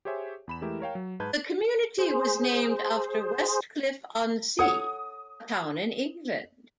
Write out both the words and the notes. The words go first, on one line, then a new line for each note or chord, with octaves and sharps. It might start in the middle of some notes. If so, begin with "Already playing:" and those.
The community was named after Westcliff-on-Sea, a town in England.
G4 G#4 C5 C#5 E5 G#5
E2 B5 E7
E3 G#3 A3 E4 G4 A#4
A#4 C#5 F5 G5
F#3
G#2 D#4 B4 A5 G6 G#6
G#4 C5
A4 C#5 F#5 D#6